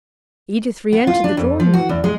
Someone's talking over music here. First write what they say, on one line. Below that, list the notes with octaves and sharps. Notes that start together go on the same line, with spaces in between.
Edith re-entered the drawing-room.
B3
F4
D4
F2
F3
F#4
E2
G#3